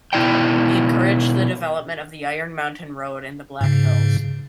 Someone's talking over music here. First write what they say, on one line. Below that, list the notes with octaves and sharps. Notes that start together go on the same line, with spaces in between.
He encouraged the development of the Iron Mountain Road in the Black Hills.
B2 D#3 E4 D5 G5
G#2 C#3